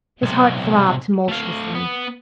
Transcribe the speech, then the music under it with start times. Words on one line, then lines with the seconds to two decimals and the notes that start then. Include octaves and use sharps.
His heart throbbed tumultuously.
0.23 B1 C3
1.28 A3 F5
1.74 B3